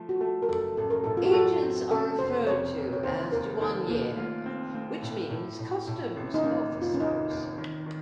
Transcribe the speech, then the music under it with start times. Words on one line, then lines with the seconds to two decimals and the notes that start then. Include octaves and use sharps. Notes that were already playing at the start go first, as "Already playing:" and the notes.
Agents are referred to as "douaniers", which means customs officers.
Already playing: F3 A3
0.09 F#4
0.21 A3 A4
0.42 A#4
0.48 F#1 A4
0.77 A1 A4
0.90 A#4
1.04 A2 A4
1.17 F4
1.25 F#4
1.34 F#3 A4
1.62 C4
1.90 C#3 A4
2.19 F1 C5
2.47 F2 C#5
2.76 F1
2.93 C#5
3.03 D#2 C5
3.32 D#2 A#4
3.61 D#2 A4
3.89 D#2 A#3
4.17 A3 F4
4.46 C4
4.75 A3 C4
5.02 A2
5.30 A2
5.59 A2
5.87 A2
6.16 A1
6.34 D#4
6.44 A#3 C#4
6.72 F1
6.82 F4
6.94 C#4
7.00 D#2 D#4
7.29 D#2
7.58 D#3
7.86 D#3